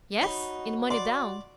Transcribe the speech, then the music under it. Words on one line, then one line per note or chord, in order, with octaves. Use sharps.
"Yes--in money down."
D#4 F#4 C#5 D#5 B5
D5 C6